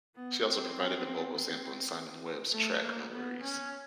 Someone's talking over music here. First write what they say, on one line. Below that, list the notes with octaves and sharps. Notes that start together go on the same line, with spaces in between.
She also provided the vocal sample in Simon Webbe's track, No Worries.
B3
C4
C4
A3
A#3
B3
C#4